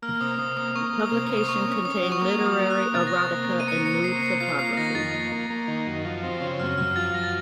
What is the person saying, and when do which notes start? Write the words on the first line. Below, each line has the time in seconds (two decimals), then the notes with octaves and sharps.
The publication contained literary erotica and nude photography.
0.02 A#3 F6
0.21 C3 D#6
0.39 C3 D#6
0.57 A#3 D#6
0.75 A#3 C#6
0.94 A#3
1.00 D#6
1.12 C3
1.30 C3
1.37 D#6
1.49 A#3 C#6
1.67 C#4
1.85 C#4 D#6
2.03 F#3
2.12 C#6
2.21 A#3 D#6
2.40 F#3
2.46 D#6
2.59 A#3
2.70 F#6
2.76 A#3
2.94 C3 A6
3.07 A#6
3.13 C3
3.19 A6
3.31 A#3
3.49 C3
3.60 D#7
3.68 A#3 C#7
3.86 C3 C#7
4.04 A#3 C7
4.22 C3 C7
4.40 F4 C7
4.59 A#3 C7
4.77 D#3 A#6
4.95 F2 A6
5.14 A#3
5.32 A#3
5.50 A#3
5.68 D#3
5.86 F#2
6.05 F3
6.23 C4
6.41 C#3
6.60 F#2 F6
6.77 F#2 F6
6.96 F3 A6
7.14 F#2 A#6
7.24 A6